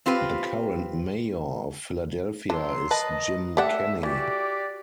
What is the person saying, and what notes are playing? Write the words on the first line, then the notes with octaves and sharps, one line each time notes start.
The current Mayor of Philadelphia is Jim Kenney.
C4 F4 G4 B4
D#3 F#3 D4 C6
A#4 B4 D#5 A5
A3 G4 D5 E5 F#5 G5
E3 F#4 G4 D5